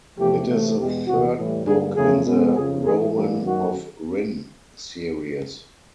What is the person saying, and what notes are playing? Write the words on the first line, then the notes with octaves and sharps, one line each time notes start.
It is the third book in the "Rowan of Rin" series.
E2 C3 F3 A3 G4
C3 E3 A3
E2 B2 G#3 B3 G4
E2 C3 E3 F#4
A2 E3 G3
G2 D3 G3 A#3 G#4
E2 C#3 F3 A3 G#4
B2 G#3 B3
F2 C#3 F3 G#4
G#2 E3 A3 G#4
G2 E3 G3 A#3 G4
F#2 D#3 F#3 A#3 F#4